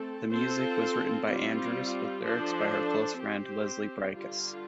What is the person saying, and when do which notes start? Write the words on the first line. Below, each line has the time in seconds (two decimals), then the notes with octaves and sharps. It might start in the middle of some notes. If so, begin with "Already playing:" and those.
The music was written by Andrews with lyrics by her close friend Leslie Bricusse.
Already playing: A3 C4 A4
0.30 C4 F4 A4 C5
1.27 G3 C4 F4
2.23 F3 D4 A4 C5
3.18 C4 G4 C5
4.15 D3 G3 F4